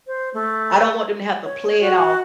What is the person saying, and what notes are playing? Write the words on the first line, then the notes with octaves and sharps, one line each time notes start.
I don't want them to have to play it off
C5
A3
C#5
F#4